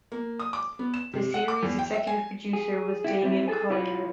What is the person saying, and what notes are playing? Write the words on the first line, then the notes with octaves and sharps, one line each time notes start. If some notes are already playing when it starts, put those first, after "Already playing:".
The series' executive producer was Damian Collier.
A#3
D#6
D6
B3
E7
C3
F#5
D6
E2
G5
E5
G#5
G#4
E4 F#4 G4
G3 C4 E4
G#4 A4 G#5
E4 F4 B4 C#5